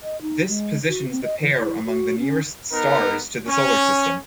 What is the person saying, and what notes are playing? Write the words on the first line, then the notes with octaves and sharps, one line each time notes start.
This positions the pair among the nearest stars to the Solar System.
D#5
D#4
G#3
F#4
C4
D#5
E3
E4
F#4
C#4
B3 D#4 A#4
C#4